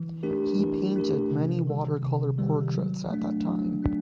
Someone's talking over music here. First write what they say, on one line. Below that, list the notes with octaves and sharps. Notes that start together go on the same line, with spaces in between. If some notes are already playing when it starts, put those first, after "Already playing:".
He painted many watercolor portraits at that time.
Already playing: E3
A3 D4 G4 A#4
E3
A3 D4 G4 A#4
C3
D#3 G3
C3
D#3 G3
F#3
A3 D4
F#3
A3 D4